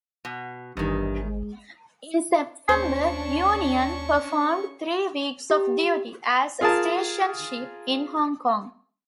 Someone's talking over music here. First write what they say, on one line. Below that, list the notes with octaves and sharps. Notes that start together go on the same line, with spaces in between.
In September, "Union" performed three weeks of duty as station ship in Hong Kong.
B2
G#1 E2 G2 D#3
G#3
D#2 C#4 D4 C5 C#6
G4
F4 G#4 A#4 A5 D#6